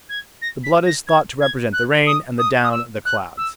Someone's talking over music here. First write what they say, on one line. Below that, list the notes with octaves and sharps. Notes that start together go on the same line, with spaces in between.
The blood is thought to represent the rain, and the down the clouds.
G#6
A#6
B6
A#6
G#6
G#6
F#6
D#6
D#6
D#6
E6
F#6
E6